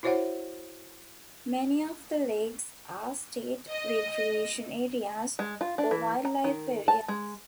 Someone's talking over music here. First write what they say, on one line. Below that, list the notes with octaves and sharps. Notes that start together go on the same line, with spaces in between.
Many of the lakes are state recreation areas or wildlife areas.
E4 F#4 C5 C#5 E5 F#5
D#5
G#3
F4
D4
E3
A#5
D#3
A5
G#3